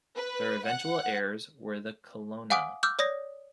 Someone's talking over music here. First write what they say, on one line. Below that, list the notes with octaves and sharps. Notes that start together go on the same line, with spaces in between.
Their eventual heirs were the Colonna.
B4
F#5
F5 F#5 G#5 D6 D#6 D7
D6 E6 F6 G6
C#5 D5 D#6 A#6